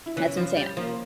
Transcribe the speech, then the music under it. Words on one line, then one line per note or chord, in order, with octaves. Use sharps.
That's insane,
E4
E3 C#4
F3
G3
F3 A#3